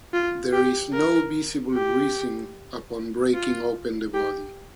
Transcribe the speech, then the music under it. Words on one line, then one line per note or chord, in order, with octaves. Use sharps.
There is no visible bruising upon breaking open the body.
F4
G4
A#4
G4
F4
G4